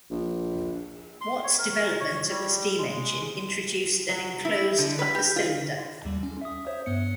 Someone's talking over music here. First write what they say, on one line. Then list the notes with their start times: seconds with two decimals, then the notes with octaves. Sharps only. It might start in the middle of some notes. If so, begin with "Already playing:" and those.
Watt's development of the steam engine introduced an enclosed upper cylinder.
0.11 A#1
1.21 C6
1.44 C#5
1.58 A#4
2.00 C#5
2.30 G3
2.78 G#3
4.09 F#3
4.45 E4
4.78 D3
4.99 B4
5.15 G4
5.36 F4
6.05 D#2 G3
6.23 C#4
6.41 E5 D#6
6.67 C5 C#5 E5
6.86 G2 B3 C#7